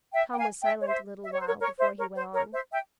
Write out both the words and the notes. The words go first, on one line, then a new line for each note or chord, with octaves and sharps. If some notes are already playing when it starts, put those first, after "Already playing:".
Tom was silent a little while before he went on.
E5 G5
G5
F5 G#5
E5 G5
C#5
C5 E5
E5
C#5
C5
A#4 C#5
A#4 C#5
C5 E5
A#4 C#5
C5
A#4 C#5
C5 E5
E5 G5